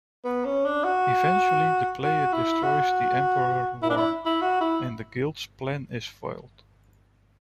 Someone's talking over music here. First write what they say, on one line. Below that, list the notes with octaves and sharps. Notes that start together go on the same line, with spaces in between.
Eventually the player destroys the Emperor Worm, and the Guild's plan is foiled.
B3
C#4
D4
F#4
F#4
E4
F#4
E4
D4
E4
E4
F#4
E4